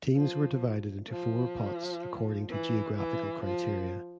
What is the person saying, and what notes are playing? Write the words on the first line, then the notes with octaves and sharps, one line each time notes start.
Teams were divided into four pots according to geographical criteria.
F3
F3
E3
E3
F3